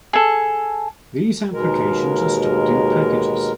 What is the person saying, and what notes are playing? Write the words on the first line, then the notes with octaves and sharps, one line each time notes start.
These applications are stored in packages.
G#4 A4
D#2 B2 G#3 A#4